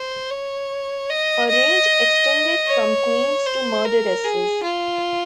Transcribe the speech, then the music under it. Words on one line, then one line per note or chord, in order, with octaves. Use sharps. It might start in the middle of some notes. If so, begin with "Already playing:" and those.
Her range extended from queens to murderesses.
Already playing: C5
C#5
D#5
D#5
C#5
C5
A#4
G#4
F4